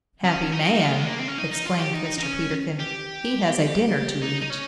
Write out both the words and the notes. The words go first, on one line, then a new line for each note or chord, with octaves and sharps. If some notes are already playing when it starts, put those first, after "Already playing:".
"Happy man," exclaimed Mr. Peterkin, "he has a dinner to eat!"
C#4
D#4
D#4
F4
G#3
A#3
C4
C#4
D#4
D#4
F4
G4
D#4
D#4
C#4
G4
D#4
D#4
C#4